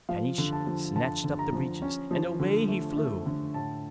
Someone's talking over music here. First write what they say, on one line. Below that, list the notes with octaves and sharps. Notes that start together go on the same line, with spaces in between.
Caniche snatched up the breeches, and away he flew.
F3 F5
D3
A5
F3
D3 A5
D3
A#5
F3
C#4
F3
D3
A3
A3
D3
A2 A5